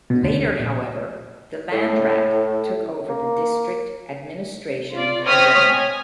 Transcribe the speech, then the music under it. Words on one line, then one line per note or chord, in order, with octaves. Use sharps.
Later, however, the "Landrat" took over the district administration again.
B2
D2
A#1
A2
A#3
F4 D5
C4 C#5 D#5 D#6 F6 B6
G#5